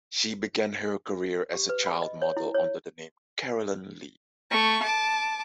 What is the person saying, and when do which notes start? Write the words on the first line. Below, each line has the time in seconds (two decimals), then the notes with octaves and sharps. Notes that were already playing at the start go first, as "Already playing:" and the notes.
She began her career as a child model under the name Carolyn Lee.
1.54 G4
1.69 B4
1.86 B5
2.02 D#5
2.22 C#5
2.37 E4
2.54 C#5
4.51 A3 C#6
4.82 A5 D6